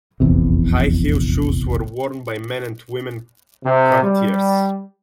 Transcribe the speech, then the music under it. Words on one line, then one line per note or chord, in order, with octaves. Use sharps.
High-heel shoes were worn by men and women courtiers.
F1 A#1 E2 C3
C3
G3